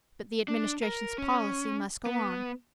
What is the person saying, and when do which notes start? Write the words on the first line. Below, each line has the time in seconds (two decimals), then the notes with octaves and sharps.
But the Administration's policy must go on.
0.48 D4
0.82 A#4
1.18 C#4
2.06 B3